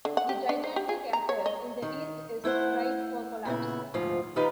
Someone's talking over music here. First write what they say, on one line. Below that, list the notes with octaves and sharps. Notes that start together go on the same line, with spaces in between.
The gigantic empire in the East is ripe for collapse.
D3
F#5
G4
D4
C5
G4
G#4
A#5
C#5
D#5
D#3
A3 E4 C5 F#5
A#2 C#3 B3 E4
D2 G#2 F3 F4
D#3 D#4 F4 G4 B4